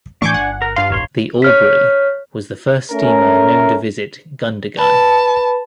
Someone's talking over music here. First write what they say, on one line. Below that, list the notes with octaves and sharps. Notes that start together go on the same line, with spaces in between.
The 'Albury' was the first steamer known to visit Gundagai.
A2 E3 A3 D4 G#5 C#6 D6 G6
G1 F#5
A#4
G2 F4 F5 C6
E1 A1 D#3 C#5 C6
C#5 F6 B6
A3 C#4 A#4
B4 A5 B5